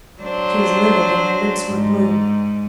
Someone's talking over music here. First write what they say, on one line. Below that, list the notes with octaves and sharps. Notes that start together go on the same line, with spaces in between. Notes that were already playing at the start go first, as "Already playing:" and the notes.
She was livid and her lips were blue.
F#3 D4 C5
G#2